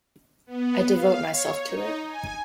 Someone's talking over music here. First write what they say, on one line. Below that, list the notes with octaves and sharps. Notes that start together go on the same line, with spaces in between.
I devote myself to it.
B3
F5
C#5
D#4
G#5